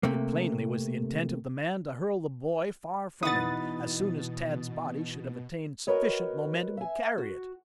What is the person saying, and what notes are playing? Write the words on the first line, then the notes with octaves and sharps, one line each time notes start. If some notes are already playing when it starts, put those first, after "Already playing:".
It plainly was the intent of the man to hurl the boy far from him, as soon as Tad's body should have attained sufficient momentum to carry it.
C3 A3 A#3
B2 E3 D#4 B4 F#5 D#6 A6
F#4 A#4 B4 C#5 D#5
E5 G#5
F#4